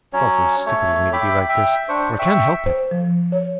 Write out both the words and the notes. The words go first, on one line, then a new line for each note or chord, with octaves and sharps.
It's awfully stupid of me to be like this, but I can't help it.
F#3 C#4 C#5
A3 C#5
E5 G5 B5 D6
E5 G5
D4 C5 C#6
E5 G5 C#6 E6
C5
F3
C#5